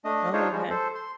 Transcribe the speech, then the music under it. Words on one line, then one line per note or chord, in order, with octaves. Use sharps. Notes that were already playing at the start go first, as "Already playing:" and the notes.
Oh, okay.
A3 D4 D#5
D4 D#4 F4 C5 C#5
F3 G3 G#3
A4 C5
C6